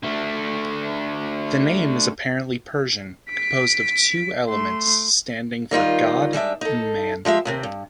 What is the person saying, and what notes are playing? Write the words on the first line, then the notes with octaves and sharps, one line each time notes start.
The name is apparently Persian, composed of two elements standing for "god" and "man".
D3 A3
B6 D7
A3 C6
D#3 G3 D#4 F4
G3 G#3 D4 E5
D#4 A4
F3 G#3 G4 E5
D#2 C3 C4
G2